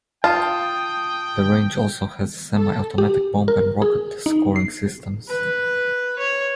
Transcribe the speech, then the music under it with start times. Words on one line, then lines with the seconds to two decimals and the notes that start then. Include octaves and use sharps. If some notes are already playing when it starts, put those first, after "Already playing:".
The range also has semi-automatic bomb and rocket scoring systems.
0.24 F4 F5 G5 A5 D#6
2.55 A4
2.98 G4
3.48 A#4
3.82 G#4
4.26 D#4
4.56 C7
5.28 B4
6.19 C#5